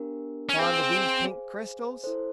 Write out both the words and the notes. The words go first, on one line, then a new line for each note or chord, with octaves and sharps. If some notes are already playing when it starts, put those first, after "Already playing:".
"Fond of these pink crystals?"
Already playing: B3 D4 G4 A#4
C#4
C4 G#4 C5 F5 G#5
G#4 C5 F5 G#5
E4 A4 C5